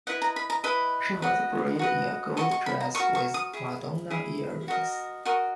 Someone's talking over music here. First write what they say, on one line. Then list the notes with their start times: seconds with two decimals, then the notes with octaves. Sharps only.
She was buried in a gold dress with Madonna earrings.
0.07 E4 B4 D#5 F#5
0.22 A#5
0.36 B5
0.50 A#5
0.64 E4 B4 D#5 B5
1.22 F#4 B4 D#5
1.79 F#4 B4 D#5
2.37 F#4 A#4 D#5 C#6
2.51 C#6
2.66 B5
2.80 A#5
2.95 F#4 A#4 D#5 C#6
3.15 C#6
3.34 D#6
3.53 E4 G#4
4.10 E4 G#4
4.68 F#4 A#4 D#5
5.25 F#4 A#4 D#5 C#6